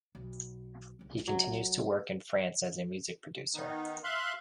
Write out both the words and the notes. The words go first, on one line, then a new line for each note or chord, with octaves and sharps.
He continues to work in France as a music producer.
B1
C2 G#3
F#3
D#3 B3 D#4
E5 F5 C6 F#6